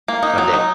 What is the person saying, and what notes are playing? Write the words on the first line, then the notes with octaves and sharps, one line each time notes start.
a day."
A#3
D#4
F#3
D#4